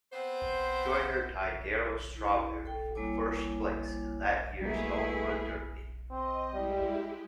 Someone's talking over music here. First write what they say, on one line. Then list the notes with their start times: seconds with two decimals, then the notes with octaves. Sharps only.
Joyner tied Darryl Strawberry for first place in that year's Home Run Derby.
0.12 B3 C4 C5
2.17 E4
2.65 A4 G5
2.95 G3 A#3 E4 C#5 G#5 D6
4.62 B2 G3 A3 A#3 E4 G#4
6.10 C4 D#5
6.53 G3 G#3 E4 G4